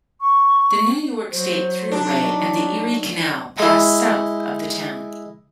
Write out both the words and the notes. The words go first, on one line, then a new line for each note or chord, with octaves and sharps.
The New York State Thruway and the Erie Canal pass south of the town.
C#6
F#3 C5
D4 D#4
G#3 E4